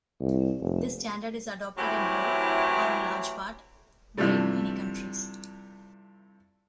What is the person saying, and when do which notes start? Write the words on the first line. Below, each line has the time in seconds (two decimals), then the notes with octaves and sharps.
This standard is adopted in whole, or in large part, by many countries.
0.20 C2
0.61 F1
1.77 A2 E3 F#3 C4 E4 G4
4.17 G2 C3 E3 F3 G3 A3